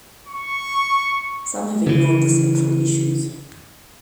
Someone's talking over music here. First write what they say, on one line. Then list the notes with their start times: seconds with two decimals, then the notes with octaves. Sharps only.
Some have ignored the central issues.
0.28 C#6
1.86 C#3 E3